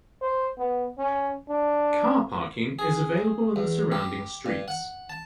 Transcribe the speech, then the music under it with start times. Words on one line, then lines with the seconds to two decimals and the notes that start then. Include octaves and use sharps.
Car parking is available in the surrounding streets.
0.22 C5
0.58 B3
0.98 C#4
1.49 D4
2.79 G#4
3.56 E2
3.92 G4
4.46 G2
4.68 F#5
5.10 A5